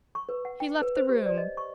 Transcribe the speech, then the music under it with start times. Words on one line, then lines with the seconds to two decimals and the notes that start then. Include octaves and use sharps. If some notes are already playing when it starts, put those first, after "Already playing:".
He left the room.
0.15 C#6
0.29 B4
0.45 F#5
0.60 G5
0.82 B4
0.96 C5
1.09 G4
1.26 D5
1.38 D#5
1.57 C#6